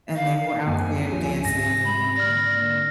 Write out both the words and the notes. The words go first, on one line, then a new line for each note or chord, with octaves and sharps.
and they were out there dancing
F5
F#2 D#3 A#3 C4 G4 E5 G#5
C#2 F3
G#2 A#6
B5
D3 A#3 D5 F6 A#6